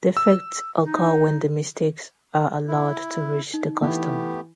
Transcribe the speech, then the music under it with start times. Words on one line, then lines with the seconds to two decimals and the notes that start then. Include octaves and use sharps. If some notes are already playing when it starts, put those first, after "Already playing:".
Defects occur when the mistakes are allowed to reach the customer.
0.17 E6
0.84 D#4
2.68 E4
3.54 D#4
3.82 E3 A3 B3 G4